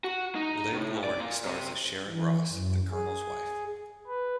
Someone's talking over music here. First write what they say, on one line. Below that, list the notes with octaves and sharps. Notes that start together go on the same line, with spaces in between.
Lynn Loring stars as Sharon Ross, the Colonel's wife.
F#4
D#4
A2
D5
A#2
C3
E3
F#2
G#4
B4